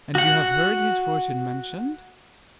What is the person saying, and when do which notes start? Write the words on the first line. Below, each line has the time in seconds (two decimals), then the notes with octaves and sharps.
"And you have heard his fortune mentioned?"
0.15 F#4 F#5